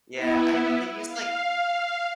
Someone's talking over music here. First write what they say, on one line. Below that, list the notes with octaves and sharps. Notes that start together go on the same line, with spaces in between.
Yeah, I they use, like
B3 E4
F5